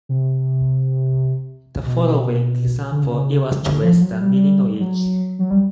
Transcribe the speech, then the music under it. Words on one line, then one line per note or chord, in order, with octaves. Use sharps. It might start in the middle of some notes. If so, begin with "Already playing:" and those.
The following example illustrates the meaning of each.
C3
B2
D3
C#3
D3
F3
F3
F#3
G3
F#3
F#3
G3